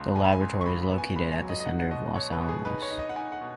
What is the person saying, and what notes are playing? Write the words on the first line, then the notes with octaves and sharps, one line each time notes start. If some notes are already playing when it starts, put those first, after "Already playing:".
The laboratory is located at the center of Los Alamos.
Already playing: C#2 B2
C#2 G#5
B5
G#5
C#2
C#6
C#2 B5
B5
B3
G#5
C#2 B5
G#5
F#3
D#5
D#5
D#4 F#5
F#5
B2 D#5
B2 C#5
B4
B2
G#4
D#4 B4
C#5
D#4
D#5
F#5
D#4 G#5
F#5
B2